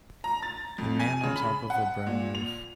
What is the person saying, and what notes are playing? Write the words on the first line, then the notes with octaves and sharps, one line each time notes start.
A man on top of a brown roof.
A#5
A6
F2
G#5
C#3
B5
F#5
A#2
F7